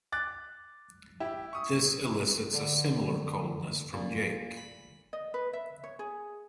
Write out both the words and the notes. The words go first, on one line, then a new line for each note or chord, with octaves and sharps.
This elicits a similar coldness from Jake.
D6 F#6 A6
E4 G4
C#6 D#6
D3
A#2
B5
D#5
B4
E5
C#5
G#4